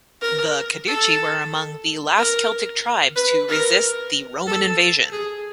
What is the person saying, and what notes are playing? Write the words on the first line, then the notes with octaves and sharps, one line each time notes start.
The Cadurci were among the last Celtic tribes to resist the Roman invasion.
A#4
A4
A#4
B4
A#4
A4
G#4